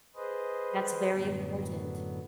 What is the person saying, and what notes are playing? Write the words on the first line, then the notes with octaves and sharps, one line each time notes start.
That's very important.
G#4 B4 C5 D#5
F#2 A2 D3 F#3 B3